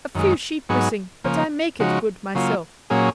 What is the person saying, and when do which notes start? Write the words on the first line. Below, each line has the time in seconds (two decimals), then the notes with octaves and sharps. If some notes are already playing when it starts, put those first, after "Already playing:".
A few sheep missing; but I make it good myself.
0.15 F#2 D#3 G#3
0.69 G#2 F#3 B3 D#4 G#4
1.24 C#3 F3 A#3
1.80 C#3 F3 G#3 D#4 F#4
2.35 C#3 F#3 A#3 F4
2.90 A#2 F#3 A#3 C#4 G#4